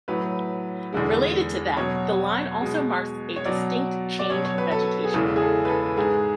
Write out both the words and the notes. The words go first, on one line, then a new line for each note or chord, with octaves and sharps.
Related to that, the line also marks a distinct change in vegetation.
A2 F#3 B4
E2 D3 G#3
B2 F#3 C#5
B2 G#3
C#5
B2 F#3 D5
D5
B2 F#3 C#5
C#5
B4
A4
G#4
E2 C#3 E3 G#3 A4
G#4
A4
B4
A4
G#2 G#3 G#4